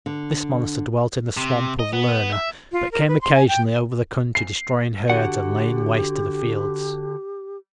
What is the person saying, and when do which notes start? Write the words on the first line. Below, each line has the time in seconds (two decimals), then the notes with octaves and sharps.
This monster dwelt in the swamp of Lerna, but came occasionally over the country, destroying herds and laying waste the fields.
0.06 D3
1.37 C3
1.79 D#5
1.93 B3
2.32 E5
2.72 F4
2.92 A#4
3.08 B4
3.21 C6
3.35 G#5
3.48 G5
4.35 C7
5.10 D3 F#4 G4 F#5